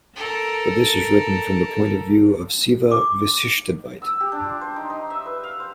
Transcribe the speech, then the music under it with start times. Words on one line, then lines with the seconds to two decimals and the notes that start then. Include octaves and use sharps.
But this is written from the point of view of Siva-visishtadvait.
0.16 A4 A#4
2.91 D6
4.02 E6
4.20 G4
4.32 D4
4.44 F4
4.61 C5
4.76 D#4
4.90 D#4
5.10 E5
5.26 B4
5.43 F5
5.60 C5